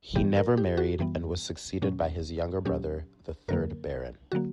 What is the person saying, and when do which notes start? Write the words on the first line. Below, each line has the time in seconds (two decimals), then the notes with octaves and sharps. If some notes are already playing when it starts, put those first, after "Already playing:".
He never married and was succeeded by his younger brother, the third Baron.
0.15 F#2 E3 G3 B3 G4
0.37 A#4
0.57 G4
0.77 F#4
0.99 F#2 E3 G3 B3
1.82 A#2 F#3 C#4
2.65 A#2 F#3 C#4 G4
3.48 F#2 D3 F#3 A#3 A#4
4.32 D3 F#3 A#3 F#4